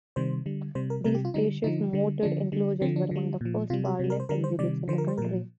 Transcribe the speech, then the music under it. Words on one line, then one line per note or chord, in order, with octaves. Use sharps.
These spacious, moated enclosures were among the first bar-less exhibits in the country.
C3 D#3 G3 C5
D3 G3
C3 G3 C5
A#4
C3 G3 A#4
G4
F4
D3 G3 D#4
D3 F3 D#4
D3 G3
D3 F3 D4
D3 G3
D3 F3 C4
D4
D3 G3
A#2 F3
C3 G3 F4
G4
C3 G3
A#4
C5
D3 G3 A#4
C5
C3 D#3 G3 D5
D3 F3 C5
A#4
C5
A#2 F3 A#4